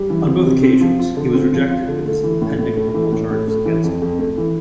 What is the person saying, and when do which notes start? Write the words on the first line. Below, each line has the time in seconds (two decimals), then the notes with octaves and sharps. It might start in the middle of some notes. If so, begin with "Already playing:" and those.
On both occasions he was rejected because of the pending criminal charges against him.
Already playing: G3
0.10 E3
0.27 C4
0.46 C3
0.63 C4
0.80 F3
0.99 F4
1.16 D3
1.34 C4
1.53 F3
1.70 F4
1.88 D3
2.05 A3
2.23 E3
2.42 A2
2.59 A2
2.77 A3
2.94 E3
3.12 A2
3.30 A2
3.48 A3
3.65 E3
3.84 F2
4.02 F2
4.19 A3
4.37 E3